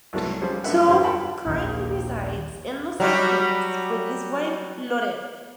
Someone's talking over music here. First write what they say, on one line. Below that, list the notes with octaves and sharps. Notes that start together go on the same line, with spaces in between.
Toub currently resides in Los Angeles, with his wife, Lorena.
C2 G#2 F#3 A3 B3 A5
F3 G3 G#3 C#4 C5 D5
F#2 A3 D4 B4 E5 F#5
E2 G2 E4 G4 G#4 C5
A#4 F#5 G5 A5 B5
A#1 D#2
F#3 G3 F#4